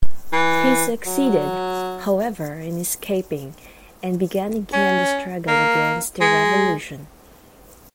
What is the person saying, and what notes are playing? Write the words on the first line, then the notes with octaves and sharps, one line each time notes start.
He succeeded, however, in escaping, and began again the struggle against the Revolution.
E3
F#3
C#4
A#3
G#3